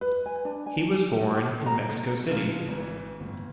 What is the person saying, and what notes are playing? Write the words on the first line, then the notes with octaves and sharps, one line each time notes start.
He was born in Mexico City.
B4
G#5
D4
G#5
A4
A#5
G#2 C#3 F3 G#3 F6
G#1 E3
G1 A2